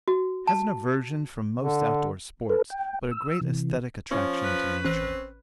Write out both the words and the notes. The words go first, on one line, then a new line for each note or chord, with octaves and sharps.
Has an aversion from most outdoor sports, but a great esthetic attraction to nature.
F#4
A5
D3
A4 B4
G5
E6
C3 E3
F3 C#4
B4
A1 C4 F#6 D#7